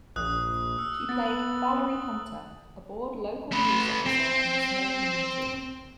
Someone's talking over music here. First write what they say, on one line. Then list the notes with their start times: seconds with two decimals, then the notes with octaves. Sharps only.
She played "Valerie Hunter", a bored local police officer in a small community.
0.16 A#1 D#6 F#6
0.79 E6
1.09 B3 A6
1.26 F#7
3.52 A3 B4
4.05 C4